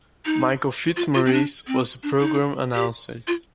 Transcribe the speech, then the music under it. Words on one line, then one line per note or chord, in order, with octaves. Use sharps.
Michael Fitzmaurice was the program's announcer.
D#4
F4
F4
C4
D4
C4
D4
D#4
G4
F4